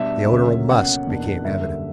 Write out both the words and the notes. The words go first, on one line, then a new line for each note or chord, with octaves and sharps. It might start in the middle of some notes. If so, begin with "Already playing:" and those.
The odor of musk became evident.
Already playing: B2 G3 B3 D4 E5
D2 C#3 F#3 A#3 C#4
B2 A#3 C#4 F#5
E2 B2 A#3 D4
F#2 D3 G3 A#3 E5